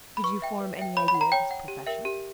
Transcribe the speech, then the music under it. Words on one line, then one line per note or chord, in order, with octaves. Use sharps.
"Did you form any idea of his profession?"
B5
B4 C#6
E5 G5
B4
E5 G5
C#5 B5
B5
F#5
A#5
C#5 G5
F#5
G4
A#4 E5 G5
G4